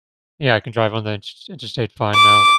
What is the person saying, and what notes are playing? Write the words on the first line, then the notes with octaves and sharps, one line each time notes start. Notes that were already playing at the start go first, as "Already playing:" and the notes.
Yeah, I can drive on the insters interstate fine now.
D6